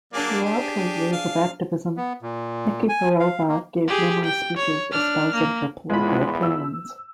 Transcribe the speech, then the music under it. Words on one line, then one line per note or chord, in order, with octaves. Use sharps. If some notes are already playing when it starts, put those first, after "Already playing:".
Throughout her years of activism, Nikiforova gave numerous speeches espousing her political opinions.
F#3 A#3 D4 G#4 D5
G4
F5
B3
A#2
G#5
F5
A#3
G4 G#4
G5
C#5
D4 F6
A#3
E2 A2 G#3 F4 B5
E6